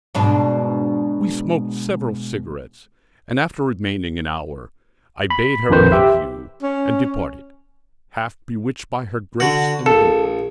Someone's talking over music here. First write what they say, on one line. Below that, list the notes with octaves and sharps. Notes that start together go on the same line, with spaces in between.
We smoked several cigarettes, and, after remaining an hour, I bade her adieu and departed, half bewitched by her grace and beauty.
G#2 B2 D4
B5
A#1 F2 D#3 B4 C5
G4 E5
C#4
D3 F#4
A#1 A4